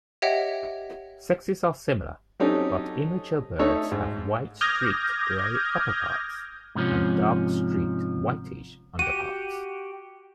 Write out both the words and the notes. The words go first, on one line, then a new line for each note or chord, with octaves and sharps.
Sexes are similar, but immature birds have white-streaked grey upperparts and dark-streaked whitish underparts.
G4 C#5 D#5 E5 F#5 G5
F#3 C4 C#4 D#4 G4 A4
A3 D#4 C#5 E5
G#2
D6 D#6 F6 G6 G#6 A#6
G#2 C3 D#3 F3 C#4
F#4 G4 D#7